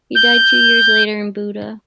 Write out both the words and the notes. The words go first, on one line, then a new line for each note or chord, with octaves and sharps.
He died two years later in Buda.
G6